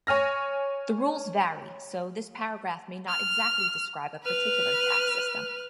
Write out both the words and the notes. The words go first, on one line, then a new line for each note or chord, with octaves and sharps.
The rules vary, so this paragraph may not exactly describe a particular tax system.
C#5 G#5 F6 A#6
F6
B4 F6